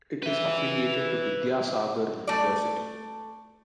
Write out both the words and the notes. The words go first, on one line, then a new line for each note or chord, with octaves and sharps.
It is affiliated to Vidyasagar University.
B4 E5
A3 D5